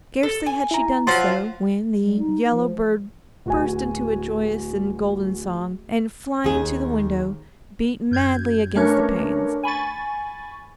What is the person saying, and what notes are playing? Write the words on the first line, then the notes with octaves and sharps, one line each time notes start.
Scarcely had she done so, when the yellow bird burst into a joyous and golden song, and flying to the window, beat madly against the panes.
A4
G#5
E4 A#5
F3 F#3 F5 C6
G3
D#4
F3
D1 F#4 G#5
D#2 G#4
F#2 G6 G#6
A3 C#4 D4 A#4 B4 C#5
G#5 B5 C#6 A6